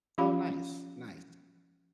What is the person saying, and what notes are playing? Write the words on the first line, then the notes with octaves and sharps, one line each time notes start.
Oh, nice, nice.
F3 C#4 F4 G4 F5 B5